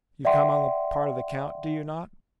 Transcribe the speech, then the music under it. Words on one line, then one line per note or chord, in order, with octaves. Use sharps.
"You come on the part of the count, do you not?"
D5 E5 F#5 G5 C6